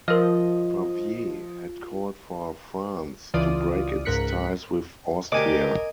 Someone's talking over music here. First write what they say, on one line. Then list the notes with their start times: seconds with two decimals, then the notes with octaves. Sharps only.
Favier had called for France to break its ties with Austria.
0.08 F3 F4 A#4 D#5 F6
3.34 C#2 E3 F4 D5 D#6
4.05 C#2 G#2 A#4 F#6 B6 C#7
5.32 D2 G4 A#4 D#5 G#5 D6